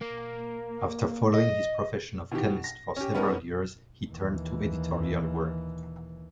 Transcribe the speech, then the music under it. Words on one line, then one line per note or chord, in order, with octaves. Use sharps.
After following his profession of chemist for several years, he turned to editorial work.
A#3
D#5
B2 D#3 E3 F#4 G4
A#6
C#4 G4
G3 B3 C#4 D#4 A#4 B4
D#2 E3